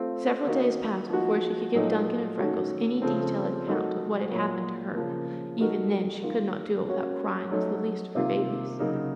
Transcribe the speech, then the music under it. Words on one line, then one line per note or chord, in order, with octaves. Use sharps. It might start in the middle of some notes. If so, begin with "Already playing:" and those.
Several days passed before she could give Duncan and Freckles any detailed account of what had happened to her, even then she could not do it without crying as the least of her babies.
Already playing: A3 C4 F4
D#3 A#3 D#4 F#4
F3 A#3 D#4 F#4
A#2 F#3 A3 D#4
D#3 A3 C#4 F#4 A4
C#3 F3 A3 C4
F#3 A3 D#4 F#4 A#4
A#2 F#3 A#3
C#3 F3 A#3
A3 D#4 F#4 A#4
D#3 A#3 F4
A#3 C#4 F#4
F#3 A3 D#4
C3 D#3 A#3 F4
C#3 F#3 A#3 D#4 A#4